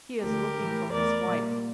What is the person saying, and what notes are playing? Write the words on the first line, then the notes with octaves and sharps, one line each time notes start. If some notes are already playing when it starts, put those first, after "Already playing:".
He is looking for his wife.
D2 D3 A3 G4 A#4
A2 E3 A3
E2 E3 A3 A#4 D5
A#2 G3 A#3